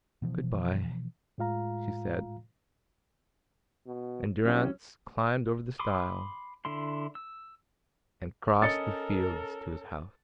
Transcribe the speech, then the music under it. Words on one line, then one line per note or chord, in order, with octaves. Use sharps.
"Good-bye," she said, and Durrance climbed over the stile and crossed the fields to his house.
B2 E3 F3
A2 G#3 F4 F5 A#5
B2
C2 F#3 C#4
B5 C6 D6 D#6
D3 E4 C6
E6
C#4 A4 A#4 D#5 A6 C#7